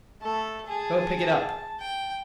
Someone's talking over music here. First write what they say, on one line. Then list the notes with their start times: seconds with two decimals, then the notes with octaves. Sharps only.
Go pick it up!
0.22 A3 A4
0.67 G#4 A5
1.81 G5